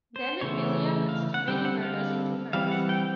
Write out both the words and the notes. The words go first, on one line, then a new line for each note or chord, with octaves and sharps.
Then Emilia puts too many murders into hers.
C5
C#3 E3 A3 C#5
F5
F#5
D3 G3 C4 G5
F#5
F5
E3 G3 C4 F5
F#5
G5